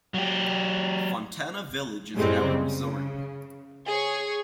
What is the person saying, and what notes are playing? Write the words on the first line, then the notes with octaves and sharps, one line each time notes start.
Fontana Village is now a resort.
F#3 G4
F#2 A2 G3 G#3 C4
C#3
G#4 C#5